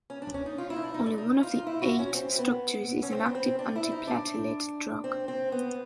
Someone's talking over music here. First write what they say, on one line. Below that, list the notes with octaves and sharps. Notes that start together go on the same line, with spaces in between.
Only one of the eight structures is an active antiplatelet drug.
C#4
D4
C#4
D#4
F4
E4
D#4
D4
D#4
D4
D#4
F4
D#4
E4
F#4
C#4
C4
B3
C#4
C4
B3
C4
D4
E4
D#4
D4
C4
C4
B3